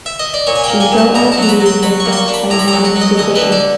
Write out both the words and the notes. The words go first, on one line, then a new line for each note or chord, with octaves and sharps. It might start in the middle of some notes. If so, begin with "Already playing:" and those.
She would go on to lose the belt by unanimous decision.
E5
D#5
D5
A#2 C#5
G#5
G5
A#3
G#5
A#2
A5
B2 A#5
A5
F#3 A#5
B5
F#3
C6
F#3 B5
C#6
A#3
C6
C#6
D4
B5
A2 A#5
B5
A#5
F#3
F#5
F#3
D#5
D2 D#5
B4
D3
D5